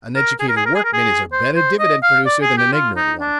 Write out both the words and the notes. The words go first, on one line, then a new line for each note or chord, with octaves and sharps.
An educated workman is a better dividend-producer than an ignorant one.
A#4
G#4
A#4
G#4
A#4
G#4
A#4
G#4
C5
C5
D#5
F5
D5
G#4
G4
F4
D#4
D4